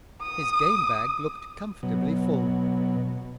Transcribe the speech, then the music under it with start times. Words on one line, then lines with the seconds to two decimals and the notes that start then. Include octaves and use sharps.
His game-bag looked comfortably full.
0.22 D#6
1.83 B2 F#3